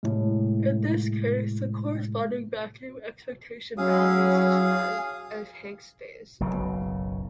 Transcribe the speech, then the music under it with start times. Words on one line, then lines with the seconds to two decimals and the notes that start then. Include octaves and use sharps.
In this case, the corresponding vacuum expectation values describe a Higgs phase.
0.03 A2 C3 G#3
3.78 F#3 C#4 E4 G#4 F5 D#6 E6
6.40 F#1 B1 C#3